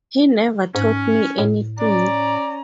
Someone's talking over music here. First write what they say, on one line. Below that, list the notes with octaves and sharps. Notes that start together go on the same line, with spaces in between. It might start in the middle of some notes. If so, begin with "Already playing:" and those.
He never taught me anything.
G#2 C#4
A2
C#4 D5 A#5